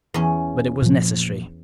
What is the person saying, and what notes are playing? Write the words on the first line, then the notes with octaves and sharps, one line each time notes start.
But it was necessary.
E2 C#4
A#2 F3